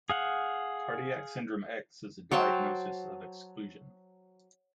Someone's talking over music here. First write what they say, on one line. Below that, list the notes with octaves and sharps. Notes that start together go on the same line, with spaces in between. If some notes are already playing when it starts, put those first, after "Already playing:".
Cardiac syndrome X is a diagnosis of exclusion.
G#4 F5 F#5
F#3 C5 G5 A5